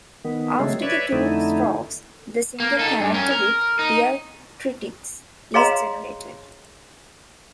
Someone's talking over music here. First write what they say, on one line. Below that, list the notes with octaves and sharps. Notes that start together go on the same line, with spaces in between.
After the two strokes, the single character with diacritics is generated.
D#3 B3
C#3 F#3 G#3 A3 C4
B4 C#5 D5 E5
F2 D3 A3 D#4 E4
A#3
D#4 A4
G2
C#4 A#4
A#4
D#4
G#4 C#5 D#5 F5 A#5 C6